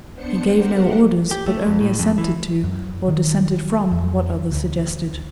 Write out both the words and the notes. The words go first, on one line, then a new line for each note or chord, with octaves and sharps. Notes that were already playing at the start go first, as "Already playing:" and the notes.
He gave no orders, but only assented to or dissented from what others suggested.
B3 D4 C5 C#7
G4 A#4 C5 F#5
G4
A3
F2
A2
F2
E3
F#2
D#3
F2
D2